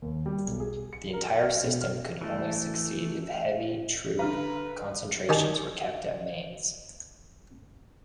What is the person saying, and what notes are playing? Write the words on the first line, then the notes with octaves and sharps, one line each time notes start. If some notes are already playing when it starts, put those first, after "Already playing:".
The entire system could only succeed if heavy troop concentrations were kept at Mainz.
D#2
G3
B1
G#4
C#7
A#4
F6
B2
F6
E3 A3
D3 B4 F5 A#5 F6
D#3 G4 D#5 G#5 A5